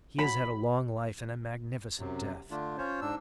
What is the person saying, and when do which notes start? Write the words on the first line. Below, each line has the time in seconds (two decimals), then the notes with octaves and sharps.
He has had a long life and a magnificent death!
0.19 B5
1.99 F#2 C3 F#3
2.51 D3 A3 D4 F4
2.78 C#4 F4 C5 C#5
3.01 G#2 D4 E6